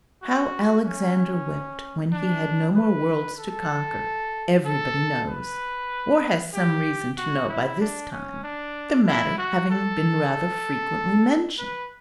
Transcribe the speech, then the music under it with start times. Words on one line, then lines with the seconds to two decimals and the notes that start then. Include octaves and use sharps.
How Alexander wept when he had no more worlds to conquer, everybody knows--or has some reason to know by this time, the matter having been rather frequently mentioned.
0.23 F#4
0.86 C#4
2.13 D4
2.76 B4
3.39 A4
4.65 A4
5.28 B4
6.54 G4
7.18 F#4
7.49 E4
7.81 D4
8.12 C#4
8.44 D4
9.07 E4
9.38 F#4
9.71 A4
11.59 B4